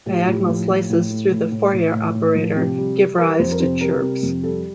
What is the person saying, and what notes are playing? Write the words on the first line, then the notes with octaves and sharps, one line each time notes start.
Diagonal slices through the Fourier operator give rise to chirps.
A2 G4
F4
A2
G4
F3
A2
A2
A3
A2
A2
A2
A2
A2
F3
C3 G4
G3
G3
G3 A#4
F2 C5
A#4
C3 C5
G3 A#4
C3
F2
G3 A4